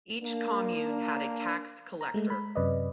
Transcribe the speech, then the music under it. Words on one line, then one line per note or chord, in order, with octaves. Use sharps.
Each commune had a tax collector.
A#3 D4
A#5
G#3 A3
G#3 B5
F#2 C3 B4 D5 D#5